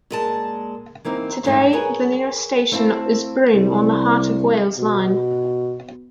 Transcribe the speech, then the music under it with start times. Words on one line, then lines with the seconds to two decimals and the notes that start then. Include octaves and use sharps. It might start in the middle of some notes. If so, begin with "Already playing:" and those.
Today the nearest station is Broome on the Heart of Wales Line.
0.10 A#2 G#3 A5
1.05 E3 A#3 C4 D#4
1.45 D#2 G#2 A3 D#4
1.73 G#4 A#4 B4 C#5 G#5
2.72 A3 C4 E4 C5 F5 A5
3.54 C2
4.78 B2